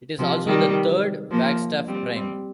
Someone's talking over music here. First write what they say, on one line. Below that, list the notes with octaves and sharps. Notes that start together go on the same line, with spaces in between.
It is also the third Wagstaff prime.
C3 F3
D#3 G3
F3 A#3
G3 C4
G3 C4